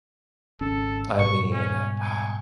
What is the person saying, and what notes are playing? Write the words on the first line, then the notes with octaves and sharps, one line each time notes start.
I mean, uh
G#1 C#3 C#4 A4
G#2 B2 G3 C#6
C#4
G#5